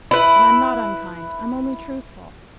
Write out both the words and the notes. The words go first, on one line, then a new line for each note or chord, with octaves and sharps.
'And I'm not unkind, I'm only truthful.
E4 B4